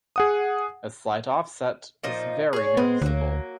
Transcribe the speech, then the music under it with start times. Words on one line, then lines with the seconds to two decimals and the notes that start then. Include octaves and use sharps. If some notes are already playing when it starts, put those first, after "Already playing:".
A slight offset is very noticeable.
0.16 G#4 F#5 D#6
2.03 A#2 F3 D#4
2.53 G#4 C#5
2.77 G#3 B3 C4
3.02 D2 F#3 A#3